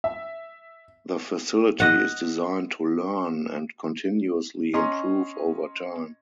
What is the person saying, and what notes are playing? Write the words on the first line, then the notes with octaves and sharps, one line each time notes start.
The facility is designed to "learn"-and continuously improve-over time.
E5
D#5 F#5
C#4 D#5 A#5 C6